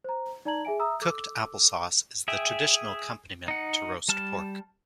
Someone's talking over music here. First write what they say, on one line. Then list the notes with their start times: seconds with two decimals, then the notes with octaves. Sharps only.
Cooked apple sauce is the traditional accompaniment to roast pork.
0.04 C5 A#5
0.45 D#4 D5 A5 A#5 G#6 F#7
0.65 G#4 E5 G#5 D7
0.80 E5 A#5 D#6 E6
1.02 A4 D6 E6
2.28 G#4 E5 G5
3.48 D#4 F#5
4.09 G3 A5 F6